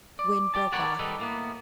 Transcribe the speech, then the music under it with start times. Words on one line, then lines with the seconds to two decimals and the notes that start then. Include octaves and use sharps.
Wind broke off.
0.19 D5
0.54 G4 D5 A5
0.72 A#4 B4 C#5 D5 F#5 A5
0.99 D#3 G3 D#4 A4 B4
1.19 A2 A#3 B3